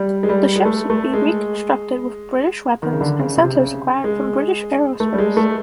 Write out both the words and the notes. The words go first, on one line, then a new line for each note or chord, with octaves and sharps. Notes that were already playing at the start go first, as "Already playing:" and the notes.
The ships would be reconstructed with British weapons and sensors acquired from British Aerospace.
Already playing: G3
G#3
G3
G#3
A3
A3
G#3
D#3
C#3
D3
C#3
C3
C#3
G#3
A3
G3
G#3
A3